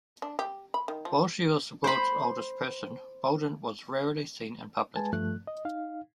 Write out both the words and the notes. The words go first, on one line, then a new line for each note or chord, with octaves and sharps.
While she was the world's oldest person Bolden was rarely seen in public.
D4
G4
B5
D#3
F3
C5 B5
G#3 B4 G#5 A5
G2 F3 A3 F#6
D#5
D#4 F5